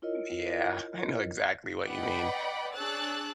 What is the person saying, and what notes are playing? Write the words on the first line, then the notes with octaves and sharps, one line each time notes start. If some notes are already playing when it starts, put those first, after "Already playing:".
Yeah, I know exactly what you mean.
E4 F4 A#4 C#5 D#5
B4 D5 D#5 F#5 G5 B5
D4 G#4 C#5 E6 F#6 A6